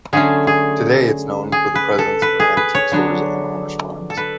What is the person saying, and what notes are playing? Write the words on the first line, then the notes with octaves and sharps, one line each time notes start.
Today it is known for the presence of antique stores and Amish farms.
D3 F#3 A3 C#4 G#4
G#4
G#4
B4
A4
B4
G#4
B4
C#5
D3 F#3 B3 D4
A4
B4